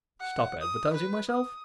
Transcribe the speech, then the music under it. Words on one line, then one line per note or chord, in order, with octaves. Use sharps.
Stop advertising myself!
F#5
D#6
B4
D#6